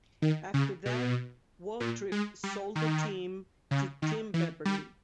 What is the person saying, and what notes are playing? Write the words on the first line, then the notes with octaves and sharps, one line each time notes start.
After that, Waltrip sold the team to Tim Beverly.
D#3
C#3
B2
A#2
G#3
G3
D#3
C#3
D#3
E3
G3